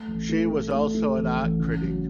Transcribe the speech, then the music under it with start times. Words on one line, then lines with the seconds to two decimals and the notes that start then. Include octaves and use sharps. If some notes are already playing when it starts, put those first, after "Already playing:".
She was also an art critic.
Already playing: A3
0.08 A1
0.29 A3
0.51 A3
0.73 A3
0.95 A3
1.16 A1
1.38 A1
1.60 C#3
1.81 F#3